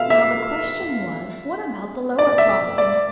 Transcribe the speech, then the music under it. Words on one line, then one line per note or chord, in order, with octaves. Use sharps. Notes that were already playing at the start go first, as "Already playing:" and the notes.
Now the question was, what about the lower crossing?
Already playing: E5 F5
E5
D5
E5
D5